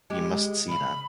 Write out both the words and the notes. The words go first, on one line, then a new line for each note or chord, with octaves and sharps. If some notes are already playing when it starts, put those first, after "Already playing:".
You must see that?
G#3 G4
C#3 F5 B5